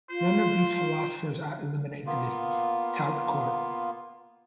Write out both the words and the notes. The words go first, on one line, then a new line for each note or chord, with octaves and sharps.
None of these philosophers are eliminativists "tout court".
F4 C5
A#3 B3 F4